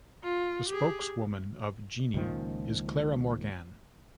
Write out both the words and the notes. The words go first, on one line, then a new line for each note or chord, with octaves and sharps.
The spokeswoman of Gini is Clara Morgane.
F4
G4 G#4
C#2 A#2 D#3 F3